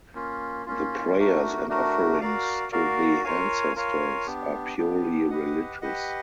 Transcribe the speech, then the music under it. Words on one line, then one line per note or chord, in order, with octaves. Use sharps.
The prayers and offerings to the ancestors are purely religious.
A#3 C#4 F4
A#3 C#4 F4
A3 D4 F#4 A#4
A3 D4 F#4 A#4
F#4 A#4 D5 F5
F#4 A#4 D5 F5
F4 A#4 C#5 F5 G#5
F4 A#4 C#5 F5 G#5
B3 D4 G4
B3 D4 G4
G4 B4 D#5 F#5
G4 B4 D#5 F#5